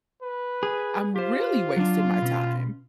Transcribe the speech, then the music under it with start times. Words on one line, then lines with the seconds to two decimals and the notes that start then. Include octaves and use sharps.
I'm really wasting my time,
0.22 B4
0.63 G#4
1.16 F4 G4 C5
1.76 F#3 D4
2.22 B2 C#4